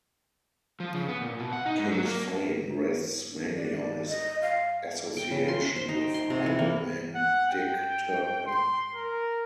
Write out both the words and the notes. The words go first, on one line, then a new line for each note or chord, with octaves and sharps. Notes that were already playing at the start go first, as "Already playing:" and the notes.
King's fame rests mainly on his association with highwayman Dick Turpin.
F3
C#3
B3
A#2
B2
F#5
D#4
G#2
F#3
A#3
D5
D#5
F5
G5
C#3
C6
C6
C5
D#4
G5
C6
C3
E3
A#3
F#5
G5
C6
A#4